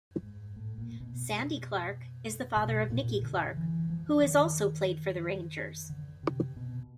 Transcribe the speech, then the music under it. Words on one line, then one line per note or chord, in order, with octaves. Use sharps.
Sandy Clark is the father of Nicky Clark, who has also played for Rangers.
G#2
A2
A#2
B2
B2
A#2
D3
E3
F3
D#3
D3
C3
B2